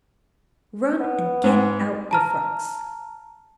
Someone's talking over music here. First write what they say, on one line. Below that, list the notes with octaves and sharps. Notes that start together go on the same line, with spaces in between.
Run and get out your frocks.'
B3
G#2
A5 A#5 F6